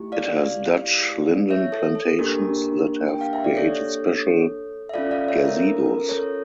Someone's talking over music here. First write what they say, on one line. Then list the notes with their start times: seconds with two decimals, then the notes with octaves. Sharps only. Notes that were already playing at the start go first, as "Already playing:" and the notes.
It has Dutch linden plantations that have created special gazebos.
Already playing: A3 E4 G4
0.12 D5 F5
1.51 C#5 E5
1.72 A4
1.95 A4
2.19 A#3 D4 G4 A#4
3.08 G5
3.21 F5
3.33 E5
3.44 D5
3.56 A4 C#5
4.89 E5
4.94 C#4 F4 A4 D5 F5
5.11 D5 F5
5.28 C#5 E5
5.46 A#4
5.62 A#4
5.86 A#4
6.09 A4 C#5